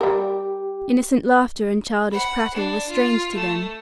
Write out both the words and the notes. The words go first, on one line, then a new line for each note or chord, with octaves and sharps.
Innocent laughter and childish prattle were strange to them.
G3 G4 A#4
F#5 B5
D4
F4
A3